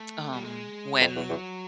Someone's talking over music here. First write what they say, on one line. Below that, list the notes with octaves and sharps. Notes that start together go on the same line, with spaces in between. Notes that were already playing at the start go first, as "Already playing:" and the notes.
um, when
Already playing: A3
G3
G#3
F2 F#3
E2
E2